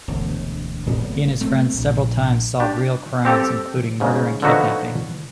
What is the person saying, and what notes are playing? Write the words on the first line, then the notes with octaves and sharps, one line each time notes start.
He and his friends several times solve real crimes including murder and kidnapping.
E1 D2
G#1 A2 G3 B3
A3 C4
A#1
D4 G4
C4 G4 A4
G#2 C#3
D3 F3 D#4 F#4 B4 C#5